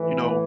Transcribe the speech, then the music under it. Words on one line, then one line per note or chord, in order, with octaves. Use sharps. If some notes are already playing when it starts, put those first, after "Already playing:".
You know,
Already playing: A2 E3